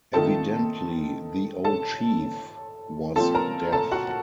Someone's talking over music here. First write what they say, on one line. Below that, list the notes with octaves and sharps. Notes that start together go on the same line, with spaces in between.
Evidently the old chief was deaf.
D#3 A3 C4 F4 A4 A5
A4 A5
A#2 F3 C4 A4 A5
A#4 A#5
A4 A5
F#4 F#5